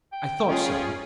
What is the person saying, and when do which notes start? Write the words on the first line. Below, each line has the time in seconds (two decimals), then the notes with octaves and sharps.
I thought so.
0.13 G5
0.48 C#4 F4 G#4